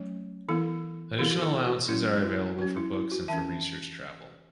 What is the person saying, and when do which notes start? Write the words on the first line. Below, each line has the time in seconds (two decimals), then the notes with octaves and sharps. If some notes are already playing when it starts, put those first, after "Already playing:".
Additional allowances are available for books and for research travel.
Already playing: F#3 A3 C#4
0.49 E3 B3 E4 A4
1.18 E3 B3 E4 A4
1.31 F#4
1.42 E4 A4
1.66 F#4
1.89 F#3 C#4 E4
2.24 E4
2.59 F#3 C#4 F#4
2.77 E4
2.93 E4
3.12 F#4
3.28 E3 C#4 E5 A5